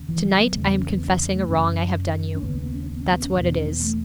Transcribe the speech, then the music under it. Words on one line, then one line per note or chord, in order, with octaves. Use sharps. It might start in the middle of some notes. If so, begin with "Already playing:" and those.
To-night I am confessing a wrong I have done you. That's what it is.
Already playing: D#2 C#3
E3
G#3
F#3
B3
E2 C#3 G#3
B3
C#4
B3
C#4
A3
F#2 C#3 C#4
C#4
D#2 C#3 B3
B3
C#4
C#4
B3
C#4
B3
C#4
E2 B2 B3
C#4
C#4
B3
A3